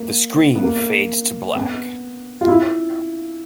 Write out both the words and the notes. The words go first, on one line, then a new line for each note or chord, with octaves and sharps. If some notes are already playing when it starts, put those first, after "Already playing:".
The screen fades to black.
Already playing: A#3
B3
A#3
B3
F4
E4